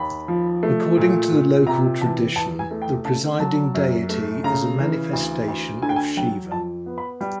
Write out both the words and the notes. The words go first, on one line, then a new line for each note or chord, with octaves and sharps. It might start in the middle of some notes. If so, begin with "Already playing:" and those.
According to the local tradition the presiding deity is a manifestation of Shiva.
Already playing: D#2 B5
F3
A3
A#2
A#2
C3 A#5
E3 A5
E2 A5
G#5
A3
G5
C#3 A5
F#3 A5
F#2
A3
C#3 A#5
E3
D2
D2
D3 G#5
G5
G#5
F#3 G5
F2 A5
B3
B5
G3